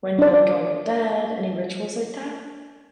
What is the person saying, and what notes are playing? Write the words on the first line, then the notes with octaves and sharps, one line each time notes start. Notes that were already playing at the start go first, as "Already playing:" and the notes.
when you're, like, going to bed? Any rituals like that?
D4 D5